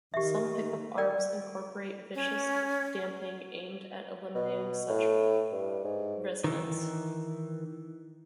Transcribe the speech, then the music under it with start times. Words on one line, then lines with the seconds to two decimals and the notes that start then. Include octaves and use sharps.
Some pickup arms incorporate viscous damping aimed at eliminating such resonance.
0.14 D#3 G4 E5
0.98 A#4 D5 G5
2.15 C#4
4.35 B2
4.89 A2
5.52 G2
5.84 G#2
6.44 D#3 E3